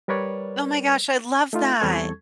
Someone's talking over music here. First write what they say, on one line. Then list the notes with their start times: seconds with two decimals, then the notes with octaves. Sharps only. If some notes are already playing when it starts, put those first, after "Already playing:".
Oh my gosh, I love that.
0.08 G3 A#4 B4 C#5 D5
1.53 A3 D#4 F4
1.80 E2 G3 C4 A4 C#6 G#6